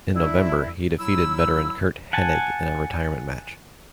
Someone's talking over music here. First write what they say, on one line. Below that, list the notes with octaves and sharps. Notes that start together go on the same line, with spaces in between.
In November, he defeated veteran Curt Hennig in a retirement match.
G3 D4 E4
F#3 E4 E6
F#5 G#5 A5